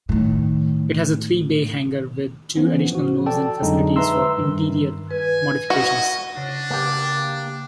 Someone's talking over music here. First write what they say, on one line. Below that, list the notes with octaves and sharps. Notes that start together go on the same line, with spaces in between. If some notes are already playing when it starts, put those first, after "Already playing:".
It has a three-bay hangar with two additional 'Nose In' facilities for interior modifications.
A2 D#3
E3 F3 B3 C#4
F3 F#4
A4 D5 G5 A5
F2 D3 F#3 G#3 D#4
B4 E5 A#5 C6 E6
G2 D#3
B4 G#5
F#4 D#5
C#3 D4
A#3 G4